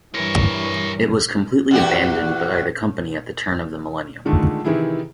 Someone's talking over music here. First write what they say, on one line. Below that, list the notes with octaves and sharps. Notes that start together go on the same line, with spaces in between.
It was completely abandoned by the company at the turn of the millennium.
G2 E3 G3 A#4 C#5
E2 F#4 G4
A#2 D3 D#3 G#3 A3
C3 D#3 E3 E4 G#4